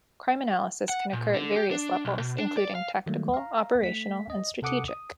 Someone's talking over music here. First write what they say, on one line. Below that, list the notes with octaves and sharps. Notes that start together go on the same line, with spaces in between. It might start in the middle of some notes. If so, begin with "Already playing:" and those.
Crime analysis can occur at various levels, including tactical, operational, and strategic.
F#5
A#2
D3
G4
D4
B1
B2
D4
D5
F5
D#3 F#3 G3 A3 A#3
F5 A#5
A3 B6
D#5
C3 A4 F#5 D6 D#6 C#7
D#6